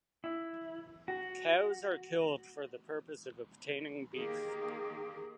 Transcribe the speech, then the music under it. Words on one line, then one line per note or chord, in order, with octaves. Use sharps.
Cows are killed for the purpose of obtaining beef.
E4
F#4
D#3 A#3 G4 G#4